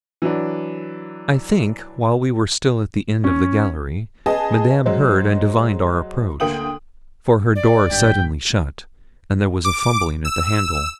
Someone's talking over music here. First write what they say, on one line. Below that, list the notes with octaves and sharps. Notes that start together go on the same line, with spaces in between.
I think, while we were still at the end of the gallery, Madame heard and divined our approach, for her door suddenly shut, and there was a fumbling at the handle.
E3 F#3 D4
C#4
G#4 B4 D#5 A5
F#3 G#3 C5
D2 A#3 G5 D#6 F#7
D5
G#1 G2 G5 B6
D6
E6